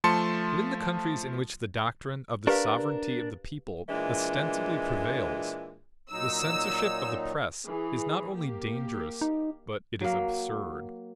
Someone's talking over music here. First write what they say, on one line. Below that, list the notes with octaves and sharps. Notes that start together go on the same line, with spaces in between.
But in the countries in which the doctrine of the sovereignty of the people ostensibly prevails, the censorship of the press is not only dangerous, but it is absurd.
F3 A3 A5 C6 C#7
D4 G4 A#4 B4 F5
A#2 E3 G#3 D4
A#2 F#3 D#4 E6
E3 G#4
A#3 G4
D#4
F#3 A#3